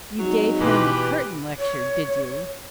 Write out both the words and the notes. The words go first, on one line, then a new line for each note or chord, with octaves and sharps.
'You gave him a curtain lecture, did you?'
C3 F#3 G#3 D#4
B2 E3 G4 B4 C6
C#5